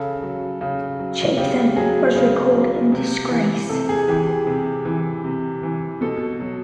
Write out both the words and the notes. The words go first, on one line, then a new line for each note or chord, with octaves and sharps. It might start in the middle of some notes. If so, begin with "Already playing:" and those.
Chatham was recalled in disgrace.
Already playing: C#3 A4
F#3
C#3
F#3
C#3 G4
F#3 G#4
C#3
F#3
C3
E3
C3 A4
G#4
E3 G4
G#4
C3
E3
C3
E3
B2 A4
F#3